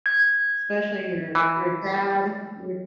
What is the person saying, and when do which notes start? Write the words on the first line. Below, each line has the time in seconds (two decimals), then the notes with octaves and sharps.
especially your your dad, your
0.06 G#6
1.35 E3